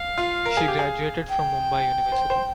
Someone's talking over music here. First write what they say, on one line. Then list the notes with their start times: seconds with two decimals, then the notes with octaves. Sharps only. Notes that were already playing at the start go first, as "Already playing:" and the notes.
She graduated from Mumbai University.
Already playing: F5
0.18 F4
0.45 A#4
0.57 G#4
0.68 G4
0.79 G#4
1.29 G5
2.12 C5
2.30 C5